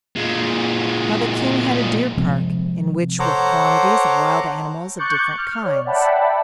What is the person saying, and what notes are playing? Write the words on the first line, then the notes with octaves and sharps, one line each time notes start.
Now the King had a deer park in which were quantities of wild animals of different kinds.
A#2 G#3
C3 F3 G#3 C4
A4 C5 C#5 F#5 A#5 D6
C#6 D6 F#6 G6 A6 C#7
F6
C#5 D5
D5 E5 F#5 G5 A5 B5